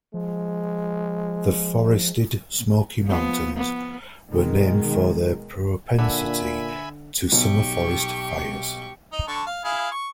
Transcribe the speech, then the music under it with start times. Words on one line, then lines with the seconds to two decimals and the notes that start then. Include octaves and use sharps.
The forested Smoky Mountains were named for their propensity to summer forest fires.
0.14 F3 G#3
3.04 F3 B3
3.57 B3
4.28 B2 D#3 G#3
5.98 A#2 D3 E5 G#5 B5
7.32 B1 G4 C#6
9.13 D#4
9.28 D3 A5 C#6
9.47 F5
9.64 E4 G#4 F5
9.92 C#6